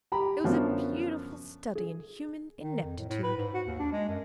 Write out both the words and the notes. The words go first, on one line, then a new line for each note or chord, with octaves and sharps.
It was a beautiful study in human ineptitude.
G4 A#5 B5
F#2 D3 F3 F#3 B3
G#4
D#3
F2
A2
A2
B4
G#2
F#4
D#2
D4
G#3
F#2